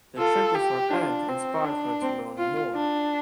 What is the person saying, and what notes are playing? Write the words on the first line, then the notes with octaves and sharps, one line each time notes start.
The trip with her Aunt inspired her to learn more.
F4 A4
G4
D4 F4
C4
D4
C4
F4
D4